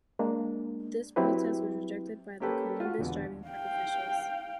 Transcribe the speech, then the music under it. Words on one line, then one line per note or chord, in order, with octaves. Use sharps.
This protest was rejected by the Columbus Driving Park officials.
G#3 A#3 D4
F#3 C4 E4 G4 B4
A#3 C#4 G4 A4 B4
F4 F#4
E1 E2 D3
F5 G5